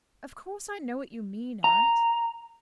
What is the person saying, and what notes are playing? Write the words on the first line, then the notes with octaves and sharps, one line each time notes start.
"Of course, I know what you mean, aunt?"
A#5